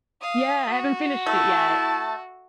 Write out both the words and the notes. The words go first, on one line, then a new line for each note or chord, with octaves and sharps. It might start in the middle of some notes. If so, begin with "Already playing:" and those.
Yeah, I haven't finished it yet,
F5 D#6
F#4
A3 E4 A5